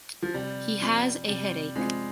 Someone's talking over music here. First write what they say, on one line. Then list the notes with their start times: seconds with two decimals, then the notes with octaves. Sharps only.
He has a headache.
0.22 F3
0.34 C3 G3
0.81 F3 C4 F4 G#4
1.28 C3 G3
1.76 F3 G#3 C4 F4 G#4